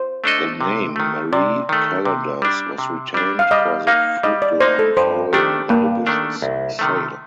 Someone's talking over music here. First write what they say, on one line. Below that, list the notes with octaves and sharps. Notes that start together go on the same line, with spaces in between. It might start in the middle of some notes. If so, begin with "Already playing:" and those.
The name "Marie Callender's" was retained for the food line following the division's sale.
Already playing: C5
A3 D4 A4 D#5
C3
D#3 A3
C3 D5
D#3 A3
C3
G3 D4
C3
G3 D4
F5
G3 D#5
A#3 D#4 F5
G3 D#5
D5
A#3 D#4 C5
A4
G2 C5
D#3 A3 D4 G4
G2 A#3
D#3 A3 D4
C2
C3 D#3 A3